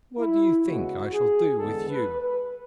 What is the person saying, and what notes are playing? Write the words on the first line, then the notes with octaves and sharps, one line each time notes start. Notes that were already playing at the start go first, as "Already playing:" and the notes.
What do you think I shall do with you?'
E4
C#3 G#3 B3 F#4
G#4
E2 D3 G#3 B3 A4
B4
B4